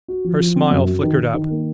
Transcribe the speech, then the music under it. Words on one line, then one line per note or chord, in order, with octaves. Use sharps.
Her smile flickered up.
F#4
F3
F3
C4
F#2
F#4
D#3
D#3
D#3
A#3